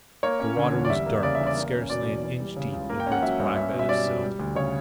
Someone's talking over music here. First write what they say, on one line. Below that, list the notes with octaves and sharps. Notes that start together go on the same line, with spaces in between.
The water was dark but scarcely an inch deep over its black bed of silt.
A#3 C#5
C#4
D3
E2
D5
G3 E5
A#3
C#3 D5
E5
E2
D5
A#3
C#4
B2 D5
E2
E3
G3
C#3
C#2
A#3
G5
C#4
F#5
F#3 E5
G2
C#4 E5
B2
E5
G3 D5
B2
G3
D2
C#3 C#5